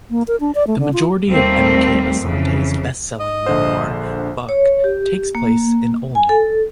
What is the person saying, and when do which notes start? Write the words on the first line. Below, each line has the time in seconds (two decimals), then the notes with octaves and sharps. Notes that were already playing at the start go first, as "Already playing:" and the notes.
The majority of M. K. Asante's bestselling memoir Buck takes place in Olney.
0.10 A#3
0.28 A#4
0.40 D4
0.55 D5
0.67 A3
0.79 D3
0.93 F4
1.27 D#2 G3 A3 A#3 C4
2.21 F2 C#3 E3
3.20 D#5
3.46 A#1 D3 C5
4.49 C#5
4.84 G4
5.35 A#3
6.15 G#5
6.29 A4